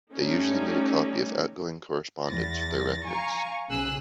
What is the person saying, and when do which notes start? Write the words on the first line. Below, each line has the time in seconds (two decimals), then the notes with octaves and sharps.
They usually need a copy of outgoing correspondence for their records.
0.14 G3 A3 C#4 D#4
2.26 E2 A6 A#6
3.05 F5 G#5 A#5 C#6
3.68 B1 C#3 F#3 G#4 E6 F#6